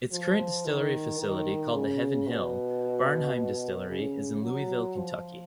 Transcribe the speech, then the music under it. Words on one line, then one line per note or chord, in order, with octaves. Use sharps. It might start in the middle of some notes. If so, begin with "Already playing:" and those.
Its current distillery facility, called the Heaven Hill Bernheim distillery, is in Louisville, Kentucky.
F3
D#3
D#3
C#3
B2
C#3
F#3
F3